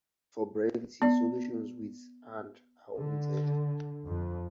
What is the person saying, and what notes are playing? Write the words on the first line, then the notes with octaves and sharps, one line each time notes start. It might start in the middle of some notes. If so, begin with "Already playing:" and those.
For brevity, solutions with and are omitted.
B3 D5
D3
F2